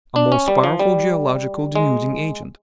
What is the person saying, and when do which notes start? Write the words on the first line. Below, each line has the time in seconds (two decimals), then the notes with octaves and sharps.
A most powerful geological denuding agent.
0.16 D4
0.32 C#4
0.48 G3
0.64 F3
0.79 G3
1.75 G#3